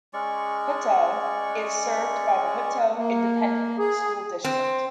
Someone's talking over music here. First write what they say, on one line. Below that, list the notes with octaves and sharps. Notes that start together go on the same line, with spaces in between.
Hutto is served by the Hutto Independent School District.
G#3 C#4 D5 C#6
A#3
G#4
C4